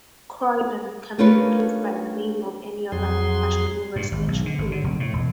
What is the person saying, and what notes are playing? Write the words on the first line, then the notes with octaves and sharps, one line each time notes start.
"Croydon" can be replaced by the name of any other unfashionable residential area.
A3 C#4 D4 F4 A#4 B4
F2 F#3 G#4 C6
G2
G#1
B1
D3
G#1
D3
F1
A2
E1